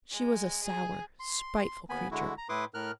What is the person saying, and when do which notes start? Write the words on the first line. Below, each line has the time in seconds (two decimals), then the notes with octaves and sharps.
She was a sour, spiteful creature.
0.11 G#3
0.64 G#4
1.20 C6
1.89 D#2 B3 G#5 B5
2.11 D3 G#3 E4 F#4
2.38 A#5
2.49 A2 E4 B4 C6 D6 D#6
2.74 A2 A#4 F6 F#6